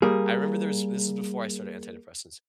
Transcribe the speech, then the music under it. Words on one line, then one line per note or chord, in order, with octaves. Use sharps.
I remember there was this is before I started antidepressants.
G3 A#3 G#4